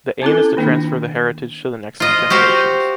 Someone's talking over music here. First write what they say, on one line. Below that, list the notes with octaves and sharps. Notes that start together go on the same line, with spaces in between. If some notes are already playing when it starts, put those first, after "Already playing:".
The aim is to transfer the heritage to the next generations.
C4 C#4 E4 F4 A4
D#3 A#3 D4 D#4
F4 D#5
F#4 G4 C5 F5